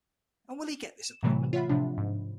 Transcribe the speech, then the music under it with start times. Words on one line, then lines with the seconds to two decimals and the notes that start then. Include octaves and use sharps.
And will he get this appointment?
1.05 E7
1.23 A2 C3 E3 F#3 A3
1.53 F4 C#5 E5 F#5 B5
1.70 A2 C3 F3 D4
1.97 G#2